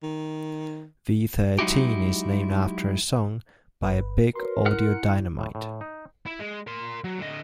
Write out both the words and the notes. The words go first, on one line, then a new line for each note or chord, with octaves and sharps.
V Thirteen is named after a song by Big Audio Dynamite.
D#3
F#3 G#3 D#4 E4 F#4 G4
G1 B4
F#4 A#4 B4 C#5 C6
E4 F#5 F6
A2
A2
D#4
E4
G#3
A#4 C6
F#3
D3 D#5